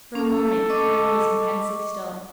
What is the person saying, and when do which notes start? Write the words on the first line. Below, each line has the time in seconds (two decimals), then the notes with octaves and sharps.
For a moment the room was intensely still.
0.15 C#4 A4
0.70 D#5 C#6 D6